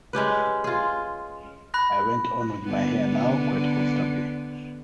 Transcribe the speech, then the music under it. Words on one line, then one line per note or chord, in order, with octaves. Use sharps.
I went on with my hair now, quite comfortably.
G#3 C#4 G4 B4
F4 G#4
B5 F#6 A#6
D3 B3